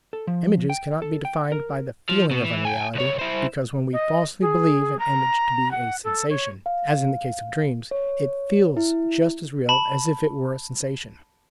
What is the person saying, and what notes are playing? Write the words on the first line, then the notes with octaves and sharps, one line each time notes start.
Images cannot be defined by the FEELING of unreality, because when we falsely believe an image to be a sensation, as in the case of dreams, it FEELS just as real as if it were a sensation.
A4
F3
G5
A4
G5
A#4
F3
B2
E3
G5 G#5
C2 C#5
E4 C5
D#5
G#4
A#5
F#5
A4
C#5
F5
C#5
E4
A5 B5